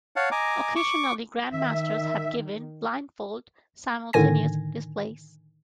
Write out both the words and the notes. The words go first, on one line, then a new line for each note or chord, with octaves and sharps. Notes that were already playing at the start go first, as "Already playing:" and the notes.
Occasionally, grandmasters have given blindfold simultaneous displays.
C#5 F5 F#5 A5
D#5 G#5 A#5 D6
C#6 D6
D#3 E5
A2 D3 D#3 G#5 A#6